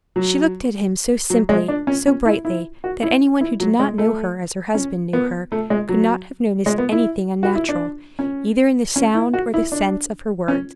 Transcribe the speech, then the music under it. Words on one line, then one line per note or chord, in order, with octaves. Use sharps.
She looked at him so simply, so brightly, that anyone who did not know her as her husband knew her could not have noticed anything unnatural, either in the sound or the sense of her words.
F#3
F#3
G#3
D4
C#4
C#4
E4
E4
F#4
E4
E4
F#3
G#3
A3
C#4
B3
A3
G#3
F#3
G#3
B3
E4
F#4
E4
D4
C#4
C#4
E4
F#4
E4
D4
C#4